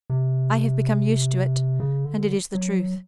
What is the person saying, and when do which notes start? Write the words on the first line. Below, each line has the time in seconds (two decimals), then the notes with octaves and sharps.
I have become used to it,--and, it is the truth.
0.10 C3
1.80 C#3
2.05 D3
2.55 F#3